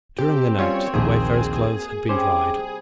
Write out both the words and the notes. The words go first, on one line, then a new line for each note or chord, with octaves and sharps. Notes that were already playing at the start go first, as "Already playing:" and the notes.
During the night the wayfarer's clothes had been dried.
C4 G4 A5
G3 A#3 C#4 F4 F#4 C#5
A#1 D#2 G#4
C3 G3 C#4 C5 D6